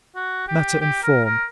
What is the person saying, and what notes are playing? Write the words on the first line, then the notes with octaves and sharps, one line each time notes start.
Matter and Form.
F#4
G4
G4
A#4
A#4